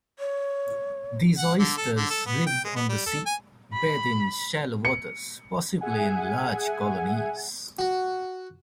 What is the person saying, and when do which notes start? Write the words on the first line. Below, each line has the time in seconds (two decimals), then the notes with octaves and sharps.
These oysters lived on the sea bed in shallow waters, possibly in large colonies.
0.19 C#5
1.38 F#5
1.59 D3
1.77 A4
1.97 D3
2.10 A4
2.26 B3
2.47 G5
2.65 G#3
2.76 B3
2.89 G3
3.06 A4
3.26 G#5
3.73 B5
4.85 C#7
5.81 G#4 E5 F#5 G#5
7.79 F#4